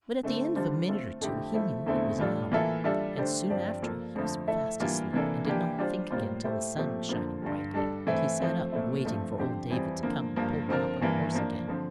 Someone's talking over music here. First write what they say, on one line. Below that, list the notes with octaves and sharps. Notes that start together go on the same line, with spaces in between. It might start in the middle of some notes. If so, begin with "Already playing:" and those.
But at the end of a minute or two he knew it was an owl, and soon after he was fast asleep and did not think again till the sun was shining brightly, and he sat up waiting for old David to come and pull him up on the horse again.
D3 A3 C4
D3 G3 D4 F4 C5
A3 C4 F4 A4
F2 D3 A3 E4 G4
F3 A3 E4
E2 D3 A3 C4 E4
A2 G3 D4 F4 A4
E3 A#3 F4 A4 E5
G3 D4 F4 A4 E5
D3 A3 D4 G4 C5
G2 F3 C4 G4 D5
F3 A#3 F4 A4
F2 D3 F3 A3
A3 E4 A4 E5
E3 G3 A#3 D4 F4
C3 E3 A#3 D4 A4
E3 A#3 D4 G4
G3 D4 F4 C5
A2 G3 A#3 F4 C5
A3 E4 G4 C5
A#2 F3 A3 C4 G4
D3 F3 A#3 F4
G2 D3 G3
G3 D4 A4
E3 A3 C4 E4
F3 A3 C4
A#2 A3 C4 E4
G2 F3 A3 C4
D3 F3 C4 G4 C5
F2 E3 G3 C4
D3 F3 A#3
G2 F3 A#3
D3 F3 C4 F4 A#4
G2 E3 A#3
F3 A#3 D4
D3 F3 C4